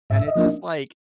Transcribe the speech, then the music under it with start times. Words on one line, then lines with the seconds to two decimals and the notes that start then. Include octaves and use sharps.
and it's just like
0.10 G#2 E5
0.27 D#5
0.35 F3 A#3 D4